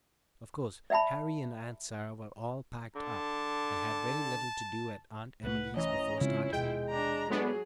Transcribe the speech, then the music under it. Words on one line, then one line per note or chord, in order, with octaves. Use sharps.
Of course Harry and Aunt Sarah were all "packed up" and had very little to do at Aunt Emily's before starting.
D5 E5 G5 A5 B5
D3 A5
C2 A3 B4 F#5
E3 C#4 D#5 A#5
C#3 G#3 C4 E4 F4
D#1 B2 G#3 G5
D4 A#5
A2 F#3 G#3 B3 D4 G#4